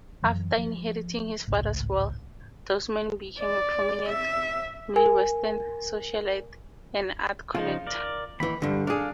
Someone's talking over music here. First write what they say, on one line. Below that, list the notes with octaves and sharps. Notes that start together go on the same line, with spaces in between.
After inheriting his father's wealth, Dousman became a prominent Midwestern socialite and art collector.
F#2 E3 F#3
F3
G#1 C#2 A2
D5
E5
A#4 G#5
C#3 F3 D#4 F4
A#4 D5
D#2 E3 B5
G2 D3 G3
D4 G#4 A4 F5